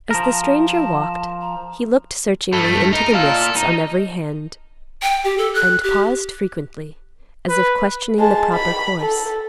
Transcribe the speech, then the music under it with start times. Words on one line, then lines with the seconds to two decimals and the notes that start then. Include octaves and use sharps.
As the stranger walked, he looked searchingly into the mists on every hand, and paused frequently as if questioning the proper course.
0.11 F3 A#4 A5
0.67 A5
1.41 A#5
2.53 G2 A3
2.93 D#4 A#4
3.14 A#2 A4 F5
3.56 D#4
5.02 G5
5.24 G4
5.38 A4
5.54 F#6
5.83 G4
7.49 B4
8.19 G#3 A5
8.54 B5
9.01 A4